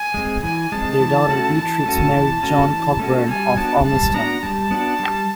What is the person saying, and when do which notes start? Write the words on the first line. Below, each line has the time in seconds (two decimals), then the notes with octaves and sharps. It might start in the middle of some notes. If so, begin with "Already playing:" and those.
Their daughter Beatrix married John Cockburn of Ormiston.
Already playing: G#5
0.14 G#3 C4
0.43 E3 G#5
0.72 G#3 C4 A5
1.00 E3
1.28 A3 C#4 F#4
1.58 E3 A5
1.86 A3 C#4 F#4
2.14 E3
2.43 A3 C#4 F#4
2.72 E3
2.99 A3 C#4 F#4
3.28 G3 G#5
3.56 B3 D4 F#4 A5
3.86 G3 A5
4.14 B3 D4 F#4 A#5
4.42 G3 A5
4.71 B3 D4 F#4
5.00 G3